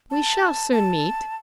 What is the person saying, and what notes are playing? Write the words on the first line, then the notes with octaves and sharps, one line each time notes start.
"We shall soon meet."
A5
A5